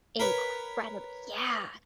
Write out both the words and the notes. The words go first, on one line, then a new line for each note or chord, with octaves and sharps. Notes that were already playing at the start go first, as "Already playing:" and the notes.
incredib Yeah,
A#4 B4 C#5